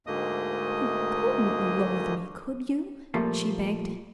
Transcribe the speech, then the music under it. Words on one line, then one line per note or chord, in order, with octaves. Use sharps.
"You couldn't loathe me, could you?" she begged.
D2 G#2 A3 A#3 D#5 D#6
A#2 F3 G3 A3 A#3